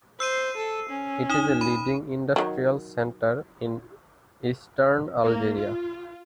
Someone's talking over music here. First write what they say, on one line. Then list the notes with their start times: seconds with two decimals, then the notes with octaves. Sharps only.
It is a leading industrial centre in eastern Algeria.
0.20 C5 E6 C7 D#7
0.57 A4
0.89 C#4
1.29 D#4 D#6 E7
1.61 B5 D#7
2.36 D#3 F#3
5.24 A#3
5.56 F4